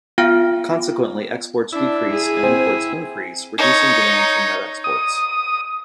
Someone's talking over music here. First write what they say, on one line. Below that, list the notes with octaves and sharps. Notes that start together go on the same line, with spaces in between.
Consequently, exports decrease and imports increase, reducing demand from net exports.
B3 F4 F5 G5 F6 D7
D4 E4
G#4
C4
D#4 C#5
D#6